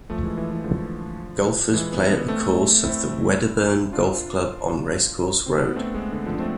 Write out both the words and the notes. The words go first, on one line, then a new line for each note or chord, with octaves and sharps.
Golfers play at the course of the Wedderburn Golf Club on Racecourse Road.
F3 A3
E3 G#3
E3
E3
D3 F3
E3 G#3
G#3 B3
B3 D4
A3 C4
C4 E4
D4 F4
C4
B3 D4
A3 C4
G#3 B3
D3
D3 F3
D4
A3 C4